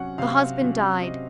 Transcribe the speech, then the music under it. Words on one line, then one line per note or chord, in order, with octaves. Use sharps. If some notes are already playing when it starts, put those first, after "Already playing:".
The husband died.
Already playing: C3 F#3 C#4 F#5
C3 F5
F#3 C#4
C3 D#5